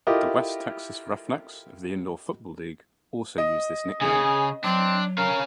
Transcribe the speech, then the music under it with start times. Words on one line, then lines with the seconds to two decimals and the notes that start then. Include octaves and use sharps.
The West Texas Roughnecks of the Indoor Football League also use this nickname.
0.07 E4 F4 G4 A4 A#4 D#5
3.38 D#5
4.01 C#3 G#4
4.64 F#3 C4 D4
5.18 C#4 A#4 F5